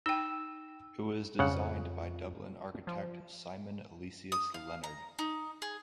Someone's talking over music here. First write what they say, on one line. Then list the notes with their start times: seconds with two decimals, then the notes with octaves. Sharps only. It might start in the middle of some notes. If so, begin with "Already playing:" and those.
It was designed by Dublin architect Simon Aloysius Leonard.
0.06 D#4 G5 E6
1.39 F2 C#3 F#5
2.87 F3
4.32 D#6
4.54 F5
4.84 A#5
5.19 D#4
5.62 G#4